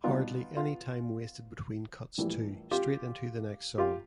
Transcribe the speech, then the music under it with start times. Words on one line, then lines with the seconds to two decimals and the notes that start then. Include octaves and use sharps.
Hardly any time wasted between cuts too, straight into the next song.
0.04 B2 G3 B3 D#4 F4
0.57 F4
2.18 A#1 A2 E3 G3
2.71 F4 G4
3.78 F4 G4